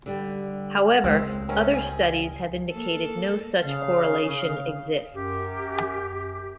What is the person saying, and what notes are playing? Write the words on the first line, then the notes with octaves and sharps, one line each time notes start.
However, other studies have indicated no such correlation exists.
D3 G3
C#2 G#3 A#3 C4
D#3 F#3 A#3 C#4
G3 G#4
A#3 A4
C#3 F5
F#2 G4